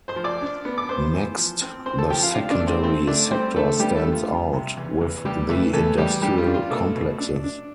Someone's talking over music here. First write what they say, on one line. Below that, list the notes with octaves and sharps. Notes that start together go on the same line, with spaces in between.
Next, the secondary sector stands out, with the industrial complexes.
C5 C6
F3
D5 D6
D4
B3
D6
B3 C5 C6
E3
F3
C4
C4 C5 C6
A4 A5
F3 G4 G5
F4 F5
D4 F4 F5
D4 D5
A3
C4 C5
A3 C4 C5
A3 D4 D5
G3 C4 C5
D3 A3 A4
G3 B3 G4
A3 A4
D3
F4
G3
C3
E2
E2
E2 G3 G4
E2 A3 A4
E2 A3 A4
E2 G3 G4
G3 D4 G4
F4
D4
F4
B2 A3 A4
B2
D4
D4